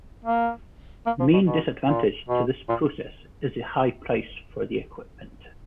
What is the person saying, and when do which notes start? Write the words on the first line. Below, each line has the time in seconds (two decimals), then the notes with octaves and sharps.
The main disadvantage to this process is the high price for the equipment.
0.25 A#3
1.06 A#3
1.20 F3
1.33 B2
1.46 B2
1.88 A#2
2.28 B2
2.69 A#2